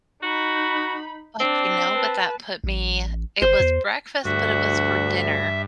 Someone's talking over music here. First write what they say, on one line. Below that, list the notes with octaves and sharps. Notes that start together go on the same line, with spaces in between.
but, you know, but that put me it was breakfast, but it was for dinner.
D#4 F#4 B5
C4 D4
B4 A5
A1
G1 C5
E2
D2 G2 F#4 E5